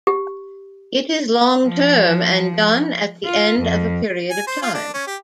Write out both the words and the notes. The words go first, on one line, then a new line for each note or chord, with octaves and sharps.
It is long term and done at the end of a period of time.
G4
F3
F4
F2
G#5
C5
F4
D4
C#4
G4